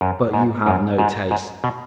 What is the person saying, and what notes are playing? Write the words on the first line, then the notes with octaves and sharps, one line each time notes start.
But you have no taste!
F#2
G#2
F#2
G#2
G#2
B2